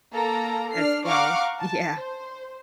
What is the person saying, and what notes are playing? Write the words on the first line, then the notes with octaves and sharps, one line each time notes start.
As well. Yeah,
A#3 A4 A#4 A#5
D4 F6 C7
F5 F#5 A#5 C#6 D6 F6
A5
C5